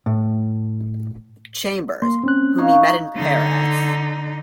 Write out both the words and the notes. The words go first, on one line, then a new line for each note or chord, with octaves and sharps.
Chambers, whom he met in Paris.
A2
A#3 C6
C4 C#4 F#6
D#4 C#5 F5
D3 D#4